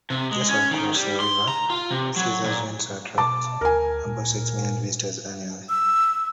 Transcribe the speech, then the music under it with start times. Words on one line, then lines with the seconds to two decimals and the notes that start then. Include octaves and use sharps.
Just across the river, Caesars Windsor attracts about six million visitors annually.
0.10 C3
0.31 G#3
0.49 C#4
0.71 D#3
0.95 G3
1.20 C6
1.48 A#5
1.70 F4
1.91 C3
2.16 F#3
2.44 A#2
3.18 B2 A5 D6
3.61 D2 A#4 G#5
4.07 A#2
5.69 E6